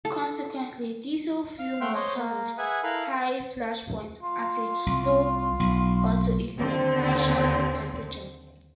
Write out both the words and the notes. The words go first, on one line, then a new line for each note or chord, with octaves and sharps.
Consequently, diesel fuel must have a high flash point and a low autoignition temperature.
A4
F5
A3 E5 F#5 G5 C6 F6
C5 C#5 D#5
A#3
G#4 B4 E5 F#5 G#5
E4 A4 A#4 F5 B5
F4
C2
B1
D#2 D3 C4